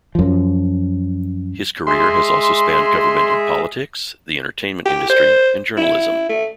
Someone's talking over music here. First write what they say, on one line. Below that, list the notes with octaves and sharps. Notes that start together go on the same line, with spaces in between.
His career has also spanned government and politics, the entertainment industry and journalism.
F#2 F3
G#3 G#4 E5 C6
G4
C5
E4
A3